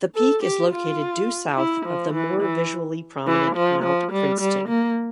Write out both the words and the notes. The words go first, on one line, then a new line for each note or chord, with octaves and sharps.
The peak is located due south of the more visually prominent Mount Princeton.
A4
G4
F4
E4
F3
E3
E3
E3
F3
F3
G3
G3
A#3